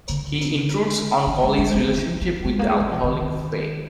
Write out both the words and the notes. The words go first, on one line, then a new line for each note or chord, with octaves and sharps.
He intrudes on Collie's relationship with the alcoholic Fay.
D3
D#3
G#3
G#3
G3
F3
G3
G#3
A#3
G#3
G3
F3
D#3